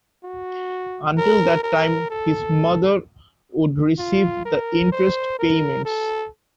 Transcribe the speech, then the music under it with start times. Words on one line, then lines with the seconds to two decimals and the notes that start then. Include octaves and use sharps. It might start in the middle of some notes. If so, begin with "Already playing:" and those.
Until that time, his mother would receive the interest payments.
0.24 F#4
1.17 A#4
1.63 A#4
2.10 A4
3.99 F4
4.45 A#4
4.92 C5
5.39 A#4
5.85 A4